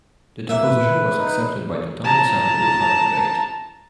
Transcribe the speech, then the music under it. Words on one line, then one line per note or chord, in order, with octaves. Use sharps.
The deposition was accepted by the town assembly without debate.
A#3 E5
B4
D#4 B4
A5 A#5